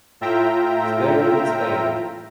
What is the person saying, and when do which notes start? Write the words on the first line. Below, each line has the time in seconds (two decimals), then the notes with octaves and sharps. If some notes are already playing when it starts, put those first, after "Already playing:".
He is buried in Spain.
0.21 A2 F4 E5 G5 A#5